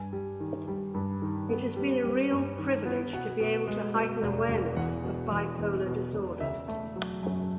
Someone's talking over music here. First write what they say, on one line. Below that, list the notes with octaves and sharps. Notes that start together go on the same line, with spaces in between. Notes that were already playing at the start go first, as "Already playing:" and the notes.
It's been a real privilege to be able to heighten awareness of bipolar disorder.
Already playing: G2 G#5
G3
D#3
G3
G2
D#3
B3
G3
G3
G2
D#3
B3
B2 F#5
B2
G#3
B2
E1
E1
E2 F#5
B2
E2
E2
B2
E1
C#3 E5
A3
F#3
F#2